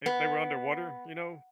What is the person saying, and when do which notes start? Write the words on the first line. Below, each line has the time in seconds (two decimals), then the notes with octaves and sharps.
they they were underwater, you know?
0.06 B3